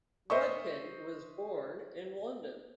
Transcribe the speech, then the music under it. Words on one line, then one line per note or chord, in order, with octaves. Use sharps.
Rudkin was born in London.
C5 D#5 E5 C#6